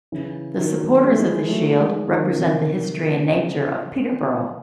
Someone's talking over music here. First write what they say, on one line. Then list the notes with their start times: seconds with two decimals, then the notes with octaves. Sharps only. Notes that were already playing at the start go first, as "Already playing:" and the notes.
The supporters of the shield represent the history and nature of Peterborough.
0.12 C#3 E3
0.57 D#3 F#3
1.03 G#3
1.10 A3
1.18 E3 G#3
1.48 F#3 A3
1.78 E3 G#3
1.97 E3
2.08 D#3 F#3
2.27 C#3
2.38 C3 D#3
3.28 C#3